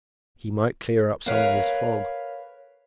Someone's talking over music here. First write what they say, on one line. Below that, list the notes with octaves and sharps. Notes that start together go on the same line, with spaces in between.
He might clear up some of this fog.
A#4 B4 C#5 E5 F5